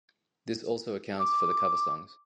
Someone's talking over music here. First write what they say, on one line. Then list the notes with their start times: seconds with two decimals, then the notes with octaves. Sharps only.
This also accounts for the cover songs.
1.19 D6